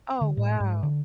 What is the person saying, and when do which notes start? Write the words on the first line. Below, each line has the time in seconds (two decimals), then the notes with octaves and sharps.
Oh, wow.
0.21 D3
0.37 A2
0.60 G#2
0.83 D3